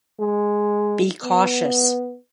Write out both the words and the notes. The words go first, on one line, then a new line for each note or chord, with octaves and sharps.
Be cautious.
G#3
B3